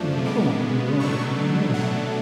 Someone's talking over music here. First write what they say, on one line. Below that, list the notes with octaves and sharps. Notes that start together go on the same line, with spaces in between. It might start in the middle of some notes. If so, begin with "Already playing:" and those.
He was born and brought up in Manila.
Already playing: F#2 F3 A3 D4
C#3 G#3 B3 D6
B2 F#3 A3 D4 C#6
B2 F#3 A3 D4 F#5